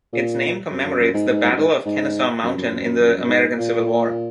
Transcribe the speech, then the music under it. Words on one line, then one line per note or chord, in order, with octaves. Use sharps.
Its name commemorates the Battle of Kennesaw Mountain in the American Civil War.
A#2
F#2
F#2
F#2
G#2
G#2
G#2
F#2
G#2
G#2
F#2
F#2
F#2
F#2
F#2
F#2
G#2
A#2